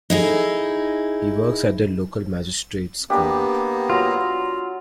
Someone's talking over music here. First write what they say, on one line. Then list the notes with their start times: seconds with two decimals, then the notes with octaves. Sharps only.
He works at the local magistrate’s court.
0.10 D#4 E4 G#4
3.10 A#3 B3 D4 G4 D#5
3.90 F#3 F4 A#5